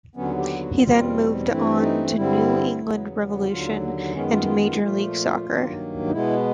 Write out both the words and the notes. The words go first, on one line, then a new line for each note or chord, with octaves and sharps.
He then moved on to New England Revolution and Major League Soccer.
D#2 D3 F#3 B3 C#4
G4
F#4
E4
E2 B2 G3 C4 F4
G2 E3 A3 C4 E4
D#4
G2 D3 G3 C4 E4
E2 C#3 F#3 B3
F#4
D#2 D3 F#3 F4
F#2 D#3 G#3 B3 C#4
F4
F4
F4
E4
A#2 F3 A3 F4
G2 D#3 F#3 A#3
D#4
B2 G#3 B3 E4